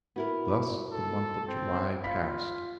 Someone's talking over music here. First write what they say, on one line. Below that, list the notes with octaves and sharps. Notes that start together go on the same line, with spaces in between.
Thus the month of July passed.
B3 E4 F#4 A#4
A4
C4
F4 F5 B5 B6